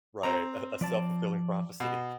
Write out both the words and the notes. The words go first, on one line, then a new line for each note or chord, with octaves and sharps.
Right, a a self-fulfilling prophecy.
C4 A#5
F3 D5 A5
B2